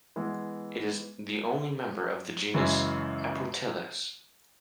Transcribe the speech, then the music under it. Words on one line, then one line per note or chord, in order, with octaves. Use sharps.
It is the only member of the genus "Aproteles".
E3 G#3 B3
F#2 C#3 E3 G#3